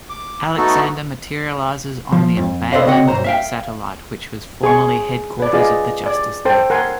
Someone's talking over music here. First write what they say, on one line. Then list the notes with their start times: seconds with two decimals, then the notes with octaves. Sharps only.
Alexander materializes on the abandoned satellite which was formerly headquarters of the Justice League.
0.10 D6
0.57 A3 B3 D#4 F#4 A4
2.12 F3
2.37 F2
2.72 A4 B4 C5 D5 D#5 F5
2.86 C#3 C4 F#4 D#5 F#5
3.08 B1 G2 C5 A#5
3.24 E5 F5 G5
4.63 G#4 G#5 C6 C#6
5.40 B4 D5
5.53 F4 G#4 D5 D#5
6.06 D5
6.45 A4 C5 G5
6.70 A#4 F#5 G#5 C6